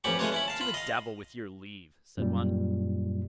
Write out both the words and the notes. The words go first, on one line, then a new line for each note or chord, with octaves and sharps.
'To the devil with your leave', said one.
A1 F2 C#4 G4 B5 C#6
G#3 A3 F4 B4 C#5
C#4 E4 B5
F5 A5
F4 B5
D#5 F5
F#2 A#2 G3